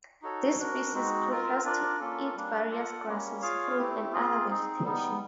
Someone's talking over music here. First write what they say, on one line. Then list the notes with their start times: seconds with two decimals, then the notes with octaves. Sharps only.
This species prefers to eat various grasses, fruit, and other vegetation.
0.22 D#4 F#4 A4 C#5
0.58 D4 F#4 A#4
0.93 G#3 C4 D#4 F#4
1.29 C4 F4 A#4
1.64 D4 F4 A#4 D5
2.00 A#3 C#4 F4 A4
2.35 G3 A#3 D4
2.71 F4 A4 D5 F#5
3.06 G3 A#3 C#4
3.42 F4 G#4 C#5 F5
3.77 A3 C4 E4 G4
4.13 C4 F4 G#4
4.48 C4 D#4 G#4
4.84 G3 B3 D#4